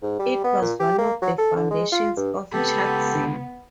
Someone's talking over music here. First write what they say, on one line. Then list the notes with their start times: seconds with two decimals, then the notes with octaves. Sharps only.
It was one of the foundations of Chartism.
0.02 G#2
0.19 G3
0.44 B3
0.62 A#2
0.80 G4
0.98 A#3
1.22 F#3
1.38 A4
1.56 D3
1.71 G#3
1.92 F4
2.17 G2
2.53 C#2 B3 G4 A4 B5